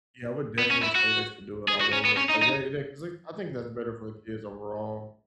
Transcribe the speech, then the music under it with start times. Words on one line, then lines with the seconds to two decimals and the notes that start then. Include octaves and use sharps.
yeah, I would definitely say they should do it all over, like, yeah yeah, 'cause they I think that's better for the kids overall.
0.59 B3
0.71 C#4
0.83 E4
0.95 F#4
1.68 G#4
1.81 F#4
1.93 C#4
2.05 B3
2.17 C#4
2.30 D#4
2.42 D#4